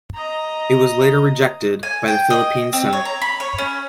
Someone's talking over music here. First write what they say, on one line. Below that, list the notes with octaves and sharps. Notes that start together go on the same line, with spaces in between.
It was later rejected by the Philippine Senate.
D#5 A#5
G#5
G5
D#5
C4
C#5
A#5
B5
C#5
C#4